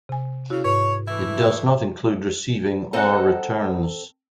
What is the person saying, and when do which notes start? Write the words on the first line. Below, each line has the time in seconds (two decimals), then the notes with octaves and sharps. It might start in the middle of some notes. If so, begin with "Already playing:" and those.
It does not include receiving or returns.
0.09 C3 G#5
0.50 C#3 E4 F#4
0.65 G#2 B4 C#5
1.07 E3 A3 E4
2.93 C4 D#4 A4 D#5 F#5